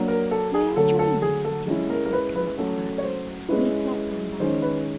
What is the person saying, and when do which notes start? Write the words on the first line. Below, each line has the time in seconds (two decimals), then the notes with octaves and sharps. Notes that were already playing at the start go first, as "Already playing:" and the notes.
"May I join you?" said Dimmler who had come up quietly, and he sat down by them.
Already playing: F#3 A#3 D4
0.08 A#4
0.31 A4
0.54 G#4
0.76 D3 F#3 A3 A4
0.99 A4
1.22 G#4
1.45 A4
1.67 G#3 C#4 E4
1.90 A#4
2.05 A#4
2.13 B4
2.35 B4
2.58 F#3 A3 C#4 A4
2.98 C#5
3.04 C5
3.49 G#3 C#4 E4 B4
4.40 D#3 G#3 C#4 C5
4.62 B4